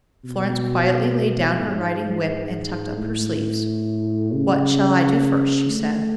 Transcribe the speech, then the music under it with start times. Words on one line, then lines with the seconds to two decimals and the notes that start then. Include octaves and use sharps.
Florence quietly laid down her riding whip and tucked up her sleeves. "What shall I do first?" she said.
0.24 B2
1.60 G#2
2.97 A2
4.35 C#3
5.71 A3